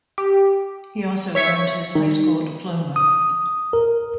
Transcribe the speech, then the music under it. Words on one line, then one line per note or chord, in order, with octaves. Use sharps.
He also earned his high school diploma.
G4
C#5 E5 C#6 B6
D#3
D#6
A#4